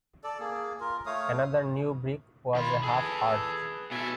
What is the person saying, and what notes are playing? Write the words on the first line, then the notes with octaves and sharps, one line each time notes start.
Another new brick was a half arch.
A4 D5
A#3 G#4
F4 A#4
A3 C#5 F5 D#6
D#3 F4 B5
G#4 A4 B4
B2 A4 E5 G#5